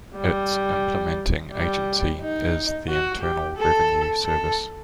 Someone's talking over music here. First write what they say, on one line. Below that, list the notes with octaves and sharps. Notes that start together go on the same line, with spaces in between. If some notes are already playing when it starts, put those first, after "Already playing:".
Its implementing agency is the Internal Revenue Service.
G3
G3
D#4
F#4
G4
A4
A4